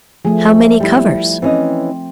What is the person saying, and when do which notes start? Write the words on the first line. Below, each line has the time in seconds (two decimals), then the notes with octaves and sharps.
"How many covers?"
0.25 F3 A3 G#4
0.80 G3 E4
1.42 E3 C4 C#4 D#5